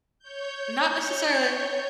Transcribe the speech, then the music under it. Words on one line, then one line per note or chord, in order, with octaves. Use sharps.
not necessarily
C#5 G6